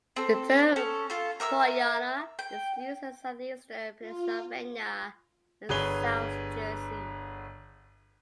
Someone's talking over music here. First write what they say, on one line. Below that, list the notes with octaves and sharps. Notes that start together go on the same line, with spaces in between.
The term "Pollyanna" is used in Southeastern Pennsylvania and South Jersey.
C4 A4
C#4 A4
F4 A4
A#4 E5 D6 E6
G5
F4
G1 G#4 B4 C#5 G7